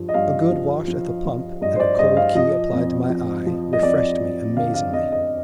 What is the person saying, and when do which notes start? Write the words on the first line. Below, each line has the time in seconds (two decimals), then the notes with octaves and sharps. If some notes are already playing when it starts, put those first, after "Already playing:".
A good wash at the pump, and a cold key applied to my eye, refreshed me amazingly.
Already playing: G2 F3
0.09 D#5
0.14 G2 F5
0.51 F3
0.87 F3
1.26 F3
1.61 G2 D#5
1.76 C5
1.80 D5
1.99 G2 D#5
2.17 F5
2.35 F3 D#5
2.73 F2
3.09 F3
3.46 F3
3.73 D#5
3.82 F2 D5
4.20 F3
4.57 D3 F5
4.74 F5
4.93 F2 D#5
5.12 D#5